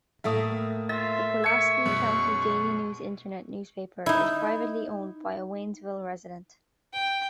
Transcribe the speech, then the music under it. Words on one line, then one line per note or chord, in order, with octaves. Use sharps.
The Pulaski County Daily News internet newspaper is privately owned by a Waynesville resident.
A2 A3 A#3 E5 D#6
F4 E5 A6
C#6 G#6 C#7
F#2 B2 G#3
D#4 E4
G5